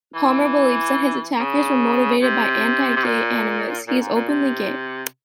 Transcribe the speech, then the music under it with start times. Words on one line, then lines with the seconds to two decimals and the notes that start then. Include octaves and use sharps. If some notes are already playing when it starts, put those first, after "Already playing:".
Palmer believes that his attackers were motivated by anti-gay animus; he is openly gay.
0.15 E3
1.40 C#3
2.22 C3
2.97 C3
3.05 A#2
3.87 A#2
4.01 G#2
4.15 A#2
4.29 C3